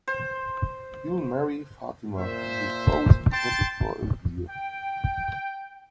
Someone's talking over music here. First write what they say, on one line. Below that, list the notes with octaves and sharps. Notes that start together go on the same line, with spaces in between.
You'll marry Fatima, and you'll both be happy for a year.
C5
A#2 C5 E5
G5 A5 C6
G5